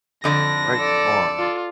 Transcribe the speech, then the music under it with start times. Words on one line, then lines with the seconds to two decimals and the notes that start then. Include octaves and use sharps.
Right on.
0.24 F2 D3 D4 A#6
0.76 A4 D5
1.39 F4